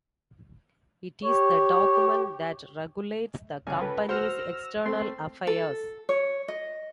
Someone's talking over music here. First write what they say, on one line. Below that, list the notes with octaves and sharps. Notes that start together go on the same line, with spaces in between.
It is the document that regulates the company's external affairs.
G4 C#5
G1 C#2 F5 G#5
A4 B4
F#4 C5 F#5 E6 F6 A#6
A3 C4 C6
A4
C#5
D#5